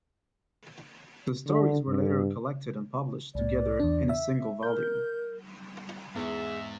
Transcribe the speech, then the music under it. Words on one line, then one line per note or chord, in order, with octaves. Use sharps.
The stories were later collected and published together in a single volume.
D3
G2
C2 A2 D5
E2 D4
E5
A#4 G6
E2 G#2 G#4 E5